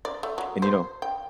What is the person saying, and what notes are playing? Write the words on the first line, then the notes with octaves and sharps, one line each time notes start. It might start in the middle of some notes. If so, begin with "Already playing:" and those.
and, you know
D5
A3
F#3
C5
G5